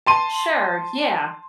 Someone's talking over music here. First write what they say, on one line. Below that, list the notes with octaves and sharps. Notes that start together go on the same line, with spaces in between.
Sure, yeah.
A5 C6 D#7